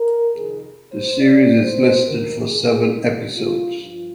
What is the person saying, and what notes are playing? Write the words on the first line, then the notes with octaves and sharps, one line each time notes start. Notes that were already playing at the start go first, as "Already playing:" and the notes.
The series is listed for seven episodes.
Already playing: A#4
F2 C3 D#3 G#4
C5
F2 C3 F3 D5
C5
D#2 D#3 A#4
G#4
G2 D#3 G4
F4
G2 F3 F4